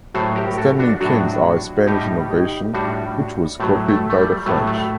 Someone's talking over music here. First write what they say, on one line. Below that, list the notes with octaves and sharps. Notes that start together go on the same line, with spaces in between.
Standing kings are a Spanish innovation which was copied by the French.
A2 F#3 A4 C5
G4 A#4
F#4 A4
D4 F#4
A2 F#3 D4 F#4
F#4
A2 G3 D#4 G4
D#4 G4
A2 G3 D4 F#4
A2 F#3 A3
A3
A3
G3
A2 F#3 A3
A3